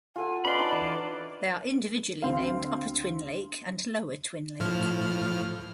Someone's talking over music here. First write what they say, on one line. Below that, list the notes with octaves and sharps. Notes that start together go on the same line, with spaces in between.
They are individually named Upper Twin Lake and Lower Twin Lake.
F4 A4 F#5 G#5
C#4 B4 D5 D#5 B5 C6
D4 D#4 A5
E3
D2 C4 F5
A2 F3 F6